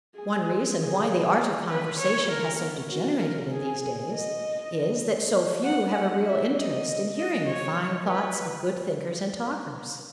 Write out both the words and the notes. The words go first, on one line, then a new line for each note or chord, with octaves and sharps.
One reason why the art of conversation has so degenerated in these days is that so few have a real interest in hearing the fine thoughts of good thinker and talkers.
G#4
G#4
B4
C#5
A#4
B3
F#4
A#4
G#4
D#5
F#5
F#5
E5
D#5
D#5
C#5
B4